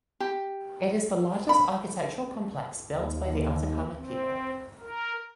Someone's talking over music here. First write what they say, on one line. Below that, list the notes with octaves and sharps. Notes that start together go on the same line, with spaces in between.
It is the largest architectural complex built by the Atacama people.
G4
B5
D#2
C4
A#4